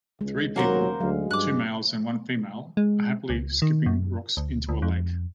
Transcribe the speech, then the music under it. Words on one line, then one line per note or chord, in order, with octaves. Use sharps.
Three people, two males and one female are happily skipping rocks into a lake.
C#2 G#3
D#2 F#3 A#3 C#4 A#4 C5 F#5
D2 F#3 G#3 F5
G2 D6 F#6
G#3
C#2
D#3
F#2
D2
D2
F2